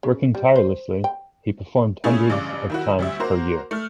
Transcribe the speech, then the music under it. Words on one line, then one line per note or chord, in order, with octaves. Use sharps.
Working tirelessly, he performed hundreds of times per year.
C#3
G3
C5
G5
A3 C#4 E4 F4 G#4
A1 G2 C#3 D4 D6
D#3 E4 F#4
D2 G3 E5
A#3 F#4 A#4 C5
A3 F6